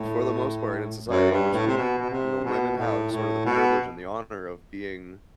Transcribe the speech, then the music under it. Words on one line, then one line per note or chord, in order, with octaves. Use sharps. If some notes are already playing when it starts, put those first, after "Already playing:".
for the most part in society, which is, uh w you know, women have sort of the privilege and the honor of being
Already playing: A2
F#2
G2
A2
C3
B2
B2
C3
B2
A2
A2
B2